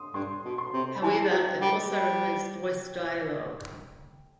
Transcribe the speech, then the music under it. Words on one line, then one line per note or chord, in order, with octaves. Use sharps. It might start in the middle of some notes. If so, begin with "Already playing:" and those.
However, it also removes voice dialogue.
Already playing: C6 D#6
G2 C6
B2
C6
C3
B5
E3 A5
F#3 G5
G3 F#5
G3